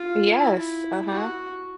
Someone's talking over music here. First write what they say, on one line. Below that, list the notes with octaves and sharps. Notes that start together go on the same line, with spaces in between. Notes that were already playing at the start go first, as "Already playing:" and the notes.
Yes, uh-huh.
Already playing: F4
E4
F#4